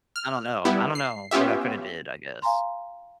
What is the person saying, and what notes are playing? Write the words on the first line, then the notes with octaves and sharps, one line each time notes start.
I don't know I don't know what I coulda did, I guess.
F6
G3 B3 E4
C7
B3 C#4 F4 G4 E5
F5 G#5 A#5 C6